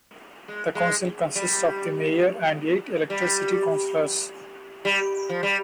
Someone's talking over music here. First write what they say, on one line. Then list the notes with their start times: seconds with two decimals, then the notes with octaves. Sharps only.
The council consists of the mayor and eight elected city councillors.
0.48 G#3
0.75 G#3
1.36 G3
3.10 G3
4.85 G3
5.29 F3
5.43 G3